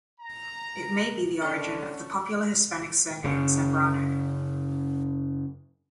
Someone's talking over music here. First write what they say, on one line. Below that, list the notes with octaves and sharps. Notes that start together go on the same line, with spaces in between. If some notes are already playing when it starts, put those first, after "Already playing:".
It may be the origin of the popular Hispanic surname Zambrano.
A#5
D3 C#4 A4 C#5
F#2 C#3